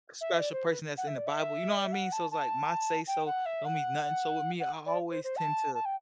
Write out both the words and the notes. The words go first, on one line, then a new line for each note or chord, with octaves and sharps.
special person that's in The Bible. You know what I mean? So it's like my say so don't mean nothing. So with me, I always tend to
E5
D5
C5
B4
F#5
E5
D5
E5
D5
E5
F#5
A5
A5
G5
F#5
E5
F#5
F#5
D5
C5
C5
A5
A5
G5